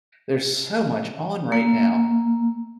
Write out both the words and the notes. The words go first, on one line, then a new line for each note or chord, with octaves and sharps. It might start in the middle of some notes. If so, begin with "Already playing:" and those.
there's so much on right now
A#3